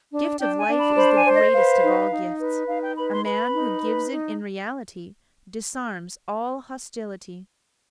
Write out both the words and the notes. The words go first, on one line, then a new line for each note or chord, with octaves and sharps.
Gift of life is the greatest of all gifts; a man who gives it in reality, disarms all hostility.
D4
D4 G5
G#5
D4
B5
C5 B5
G#5
C5
D#5
B4 F5
D#4
D#4
B4
D#4 F5
G5
B4 B5
C6
B4 B5
D#4
B4
D#4